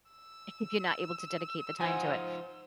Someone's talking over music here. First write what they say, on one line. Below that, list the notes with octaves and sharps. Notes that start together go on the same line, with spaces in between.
if if you're not able to dedicate the time to it?
E6
F3 D#4 F4 C5 F#5 G#5